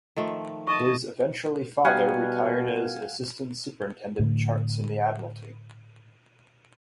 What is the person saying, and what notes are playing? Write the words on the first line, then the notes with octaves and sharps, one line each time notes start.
His eventually father retired as Assistant Superintendent Charts in the Admiralty.
D#3 F3 A3
D#5 A5 C#6
B2 G3 D#4 F#4 F5 F#5 G#5
A2 D3